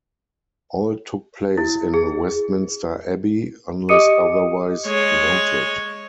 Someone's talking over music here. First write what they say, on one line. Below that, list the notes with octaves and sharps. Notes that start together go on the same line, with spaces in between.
All took place in Westminster Abbey unless otherwise noted.
E4
G#4
G4 D#5 D6 D#6 C#7 D#7
G#3 C#5